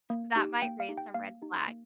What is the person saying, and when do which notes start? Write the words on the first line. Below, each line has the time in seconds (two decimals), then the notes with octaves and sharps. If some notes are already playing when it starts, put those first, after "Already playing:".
that might raise some red flags.
0.10 A#3
0.36 D#4 G4
0.62 A#3 G5
0.80 F5
0.89 D#4 G4
0.98 G5
1.14 A#3 F5
1.42 D#4 G4
1.67 A#3